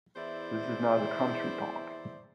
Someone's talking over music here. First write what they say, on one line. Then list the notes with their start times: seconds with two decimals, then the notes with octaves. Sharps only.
This is now the Country Park.
0.16 E2 E4 C5 D5 E5